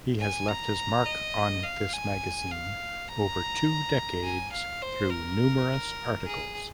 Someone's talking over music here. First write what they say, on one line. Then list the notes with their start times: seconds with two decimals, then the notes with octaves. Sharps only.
He has left his mark on this magazine over two decades through numerous articles.
0.19 G#5
0.48 A#5
1.06 D#5
1.64 F5
1.93 G#5
2.51 F5
3.08 A#5
4.24 G#5
4.52 F5
4.82 C5
5.11 A#4
6.26 G#4